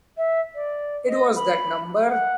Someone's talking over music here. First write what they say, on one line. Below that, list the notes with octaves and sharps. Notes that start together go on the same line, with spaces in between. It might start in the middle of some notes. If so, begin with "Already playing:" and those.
It was that number.
E5
D5
D#5
B5
F#5